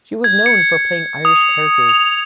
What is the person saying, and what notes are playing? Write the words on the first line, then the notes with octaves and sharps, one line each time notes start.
She was known for playing Irish characters.
G#6
C#7
D#6
F7